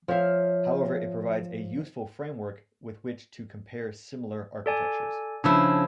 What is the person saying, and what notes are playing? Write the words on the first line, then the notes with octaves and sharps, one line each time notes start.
However, it provides a useful framework with which to compare similar architectures.
F3 C#5 E5 F5
A4 D5 G#5
C#3 F3 D4 E4 E6